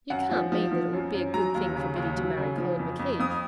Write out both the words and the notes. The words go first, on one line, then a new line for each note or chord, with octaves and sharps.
'You can't mean that it would be a good thing for Biddy to marry Colin McKeith?'
F#2 F#5
F3
F3
F3
F#2
F#2
F#3 A#5
D#2
C#3
D#2
F#3
C#3
F3
F2
F2
F2 D#6